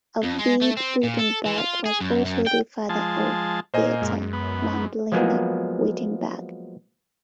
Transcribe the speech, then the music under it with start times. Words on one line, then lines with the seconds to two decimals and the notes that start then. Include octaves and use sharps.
Arvid Wittenberg was also the father of Beata Magdalena Wittenberg.
0.23 F2
0.39 G#3
0.62 A3
0.77 C4
1.03 A#2
1.19 A4
1.46 E3
1.58 F4
1.86 G#4
2.00 F#2
2.25 F#2
2.47 G5
2.89 F3 G#3 A5
3.74 A#2 C5 D#5 G#5
4.02 F#2 G#3
4.33 B3
5.12 F3 F#3 G#3 A#3 B3 G#4